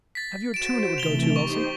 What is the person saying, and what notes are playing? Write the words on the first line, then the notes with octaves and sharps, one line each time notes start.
"Have you a tune it would go to, Elsie?"
A6 B6
F#4 C5 D7 E7
C3 E3 A3 F7 G7
D#4 G4 C5 C#6